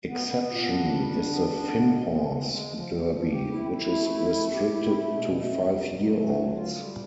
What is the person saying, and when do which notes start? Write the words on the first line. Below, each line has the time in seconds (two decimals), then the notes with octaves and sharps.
Exception is the Finnhorse Derby, which is restricted to five-year-olds.
0.07 B3
0.28 B3
0.48 A#2
0.68 D4
0.88 G3
1.09 D4
1.29 B3
1.49 D4
1.70 C#3
1.90 G#3
2.10 G#3
2.30 G#3
2.50 G#3
2.70 F3
2.90 E2
3.11 F3
3.31 G4
3.51 E4
3.71 E4
3.92 A3
4.12 E4
4.32 A3
4.52 G4
4.72 E4
4.93 A3
5.13 B2
5.34 A3
5.53 E2
5.74 B2
5.94 F#3
6.14 A3
6.35 F#3
6.55 F4
6.75 G3